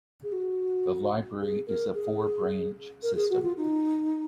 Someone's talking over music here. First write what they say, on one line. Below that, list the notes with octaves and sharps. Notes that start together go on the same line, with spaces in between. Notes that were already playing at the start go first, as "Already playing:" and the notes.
The library is a four-branch system.
G#4
F#4
G#4
A#4
G#4
A#4
G#4
F#4
F4
D#4